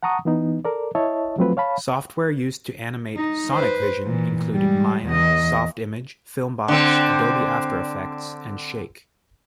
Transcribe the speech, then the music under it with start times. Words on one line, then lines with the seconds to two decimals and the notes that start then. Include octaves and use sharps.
Software used to animate "SonicVision" included Maya, SoftImage, FilmBox, Adobe After Effects, and Shake.
0.03 F#5 A5 A#5 C#6 D#6
0.25 E3 B3 D#4
0.65 A4 A#4 D5
0.95 E4 C#5 D#5 E5 A5
1.38 F3 F#3 A3 C4 F4 B4
1.57 C#5 F5 A5 B5
3.16 D#4
3.53 B4 C5
4.04 A#2 E3
4.55 G3 G#3
5.05 E2 D#5
6.68 D3 C4